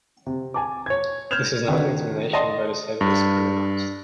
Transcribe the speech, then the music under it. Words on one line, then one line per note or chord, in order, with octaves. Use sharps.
This is not an examination but is heavily scrutinised.
C3
G#5 A5 D6
C#5 G#6
F6 G6 G#6 E7 F7
C3 D#3 D4 F#4 B4
D5 D#5 A5 C6
G2